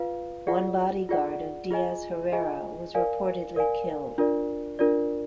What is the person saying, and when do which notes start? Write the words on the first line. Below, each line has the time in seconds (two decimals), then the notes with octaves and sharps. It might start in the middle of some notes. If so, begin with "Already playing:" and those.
One body guard of Diaz Herrera was reportedly killed.
Already playing: F4 B4 F5
0.47 F4 G#4 D5 F#5
1.09 F4 G#4 D5 F#5
1.71 F4 G#4 D#5 G#5
2.32 F4 G#4 D#5 G#5
2.95 A#4 D5 F5 G#5
3.56 A#4 D5 F5 G#5
4.18 D4 F4 A#4 D5
4.79 D4 F4 A#4 D5